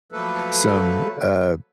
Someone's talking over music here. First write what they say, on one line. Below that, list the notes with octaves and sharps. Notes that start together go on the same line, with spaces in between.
some, uh,
F3 F#3 A3 A#3 A4 B4